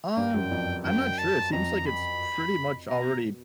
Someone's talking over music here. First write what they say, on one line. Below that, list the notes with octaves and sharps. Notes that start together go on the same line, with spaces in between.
Um, I'm not sure, it seems like it's pretty much already
G2 G5
F#2
F2
F#2 G5
A5
F2 A#5
B5
B2 A#5